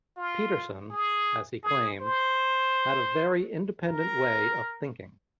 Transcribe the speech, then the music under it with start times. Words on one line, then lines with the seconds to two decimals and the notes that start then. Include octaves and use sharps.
Petersen, as he claimed, had a very independent way of thinking.
0.16 F4
0.90 G#4
1.63 G#4
2.01 C5
3.85 A#4